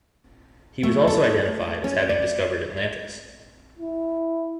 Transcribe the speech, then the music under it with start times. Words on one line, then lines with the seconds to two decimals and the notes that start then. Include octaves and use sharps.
He was also identified as having discovered Atlantis.
0.83 A3
1.07 A4
1.84 C#4
2.09 D5
3.79 E4